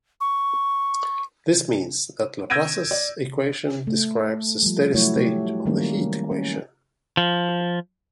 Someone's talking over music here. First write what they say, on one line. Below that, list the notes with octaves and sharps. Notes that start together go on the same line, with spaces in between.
This means that Laplace's equation describes a steady state of the heat equation.
C#6
E6 G6 G#6 A#6 D7 D#7
D5
A3
F3 G3
F#3 A3 E4 F#4 C#5
A3 G4
D#3 F#3 G3 A#3 C#4
C#4
F3